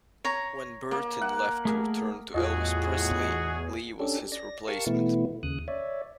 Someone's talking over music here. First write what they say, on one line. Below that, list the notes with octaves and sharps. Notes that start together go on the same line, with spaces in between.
When Burton left to return to Elvis Presley, Lee was his replacement.
C#5 A#5
A#3
F#5
A3 G#4 A#4
E2 A2 F4 F#4 G#4 D#5
C#4 D4 G4 A4
D5 A#6
G4 A#4 F5 A5 C#6
B2 E3 A3 B3 E4
D#2 C#3 D#6 F#6
C#5 D5 E5